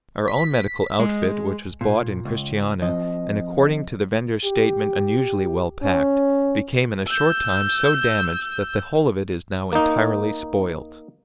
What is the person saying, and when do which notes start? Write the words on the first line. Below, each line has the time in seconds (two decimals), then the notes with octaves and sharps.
Our own medical outfit, which was bought in Christiania, and according to the vendor's statement unusually well packed, became in a short time so damaged that the whole of it is now entirely spoilt.
0.28 B6
0.99 G#3
1.81 A#2
2.25 C#2
2.82 F3 C4 D#5
4.45 G4
5.83 C#4
7.06 E6 G6
9.73 A#3 D#4